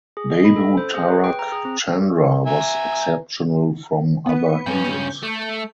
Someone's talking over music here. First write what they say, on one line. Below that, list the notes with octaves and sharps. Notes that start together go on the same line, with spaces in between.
Babu Tarak Chandra was exceptional from other Hindus.
G#4
D#5
B5
A4
C5
G#4
B4
G5
A#5
G#4
C4
E5 G#5 A#5
B3 B4
G2 C#4 G6
A3